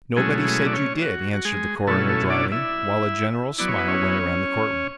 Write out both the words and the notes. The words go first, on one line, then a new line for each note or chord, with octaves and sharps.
"Nobody said you did," answered the coroner dryly, while a general smile went around the courtroom.
B2 F#3 G#3 A3 C#4 E4 G#4
G#3 G#4
D5
C#4 C#5
F#4
F#4
G#3 G#4
B2 F#3 A3 C#4 E4 A4
A3 A4
D4 D5
E4 E5
F#3 B3 E4 D5
C#5
B4
C#4 C#5